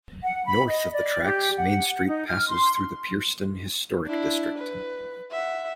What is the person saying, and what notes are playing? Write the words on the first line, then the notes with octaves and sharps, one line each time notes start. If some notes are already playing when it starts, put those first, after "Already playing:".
North of the tracks Main Street passes through the Pierceton Historic District.
F#5
B5
D#5
D5
G4
F#5
D#4
F6
C6
D4 E4
B4
E5 F#5